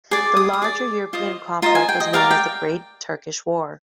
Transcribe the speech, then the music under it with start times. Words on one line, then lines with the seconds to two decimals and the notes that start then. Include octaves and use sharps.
The larger European conflict was known as the Great Turkish War.
0.11 G#4 D5 D6
0.37 D#6
0.53 D#6
0.62 G#4 D5 D6
1.13 F4 C5 D#5
1.62 F4 C5 D#5 A#5
1.75 G#5
1.89 G5
2.00 D#5
2.13 G4 A#4 D5 F5
2.31 G5